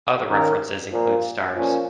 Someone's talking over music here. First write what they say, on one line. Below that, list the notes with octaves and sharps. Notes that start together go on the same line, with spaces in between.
Other references include stars.
D#3 C#4 A#4
A#2 F3 A#3
A#2 F3 C#4